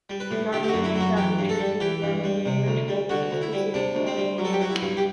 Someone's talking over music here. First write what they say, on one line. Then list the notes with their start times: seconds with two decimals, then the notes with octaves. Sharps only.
The Armenian catholic church uses the Armenian ritual with a specific form of worship.
0.10 G3
0.20 B4
0.31 A2
0.52 D3 G4
0.63 G4
0.68 F#2 F#4
0.84 E4
0.95 F#3
1.01 F#4
1.17 E3 G4
1.39 G2
1.49 A4
1.59 G3
1.80 E3 G4
2.02 G2
2.24 G3
2.46 C3
2.67 D2
2.88 G3
3.09 D3 F#4
3.31 D2
3.41 E4
3.53 G3
3.74 C3 D4
3.95 D2
4.07 C4
4.17 G3
4.38 F#3
4.45 A4
4.53 G4
4.60 F#3 F#4
4.70 E4
4.82 G2
4.97 G4